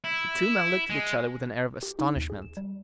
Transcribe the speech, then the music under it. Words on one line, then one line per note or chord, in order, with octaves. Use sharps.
The two men looked at each other with an air of astonishment.
E4
G#3
G4
D#4
D#2
G#4
E7
G3